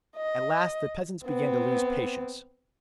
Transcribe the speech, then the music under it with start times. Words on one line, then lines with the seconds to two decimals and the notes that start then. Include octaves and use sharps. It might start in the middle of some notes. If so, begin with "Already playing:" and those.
At last the peasants began to lose patience.
0.17 D#5
1.26 B3 C4